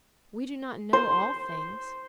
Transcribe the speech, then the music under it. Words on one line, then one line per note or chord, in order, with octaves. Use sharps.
We do not know all things.
C5